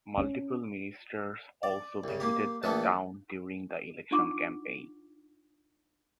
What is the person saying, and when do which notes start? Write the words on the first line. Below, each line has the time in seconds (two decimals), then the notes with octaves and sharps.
Multiple ministers also visited the town during the election campaign.
0.18 C#4
1.63 D5
2.04 C2 C#3
2.20 A#3 G4
2.63 A#1 E3 A3 B3 A5
4.11 D4 D#4 F4 F#5 C#6 D6